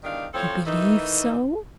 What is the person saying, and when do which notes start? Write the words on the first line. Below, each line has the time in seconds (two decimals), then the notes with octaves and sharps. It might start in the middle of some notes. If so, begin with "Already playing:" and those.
"You believe so?"
0.04 E2 D#3 G3 D4 F5
0.34 A2 F3 C4 A4 C#5
0.66 D#3 E3 A3 D#4